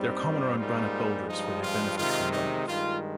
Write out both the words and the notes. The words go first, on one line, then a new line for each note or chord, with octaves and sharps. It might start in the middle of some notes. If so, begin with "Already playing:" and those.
They are common around granite boulders where they benefit from runoff.
Already playing: G2 G3 C4 D#4
F4
G#2 G3 A#3 D#4
G2 F3 G#3 D#4
F4
C3 D#3 G#3 D#4 F4
D#4
G2 D#3 G#3 F4